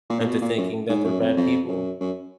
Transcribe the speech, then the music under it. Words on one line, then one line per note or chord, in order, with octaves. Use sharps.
into thinking that they're bad people.
A#2
A#2
B2
A#2
F#2
G#2
F#2
F2
F2
F#2
F#2